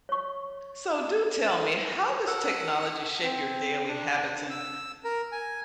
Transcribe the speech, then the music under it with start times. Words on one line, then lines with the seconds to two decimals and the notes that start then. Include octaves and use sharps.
So do tell me, how does technology shape your daily habits and
0.09 C#5 C#6
2.27 A4 A#4 F#5 E6 F#6
3.23 C4
3.88 D4
4.50 E6
5.04 A#4
5.32 G#5